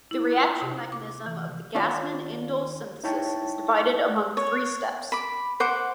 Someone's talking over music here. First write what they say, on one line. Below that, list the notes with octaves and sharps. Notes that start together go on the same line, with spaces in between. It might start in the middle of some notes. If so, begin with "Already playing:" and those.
The reaction mechanism of the Gassman indole synthesis is divided among three steps.
E4
F4
C3
D6
E3
D#2 C#4 F4 D5 F#5
D#4 E4 C#5 G5 A5 C#6
C#5
B5 D6
C5 F#5 D6